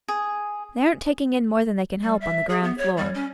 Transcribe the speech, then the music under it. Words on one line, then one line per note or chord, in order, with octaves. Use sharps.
They aren't taking in more than they can help on the ground-floor.'
G#4
G3
E5
G#4
B3
C#5
G3
C#4